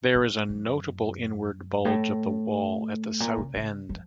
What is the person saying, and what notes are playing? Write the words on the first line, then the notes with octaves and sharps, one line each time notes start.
There is a notable inward bulge of the wall at the south end.
A2
F#2
A2
A#2
C#3
C#3
F3